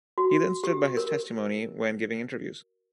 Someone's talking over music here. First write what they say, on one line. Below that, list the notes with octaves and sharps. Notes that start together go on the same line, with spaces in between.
He then stood by his testimony when giving interviews.
F#4
G4
A#4